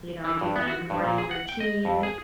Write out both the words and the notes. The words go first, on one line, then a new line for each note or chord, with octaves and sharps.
you know, I do my morning routine,
E3
G2
B3
F#4
G2
A#2
G#4
F#5
G5
D#5
F2
G#4